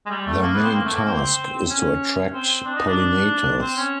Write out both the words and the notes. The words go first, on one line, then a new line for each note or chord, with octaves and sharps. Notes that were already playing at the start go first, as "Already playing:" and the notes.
Their main task is to attract pollinators.
G#3
G3
A3
A#3
B3
C4
A#3
A3
A#3
C4
C#4
C4
D4
D#4
D4
C4
C#4